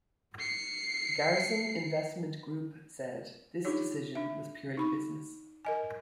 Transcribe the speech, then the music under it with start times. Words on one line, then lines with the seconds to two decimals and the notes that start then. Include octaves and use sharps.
Garrison Investment Group said this decision was purely business.
0.39 C7 C#7
3.65 D4 D#4 F4 G4 C#5
4.15 D4 E5
4.77 D#4 B5 C#6
5.65 A#4 D#5 G#5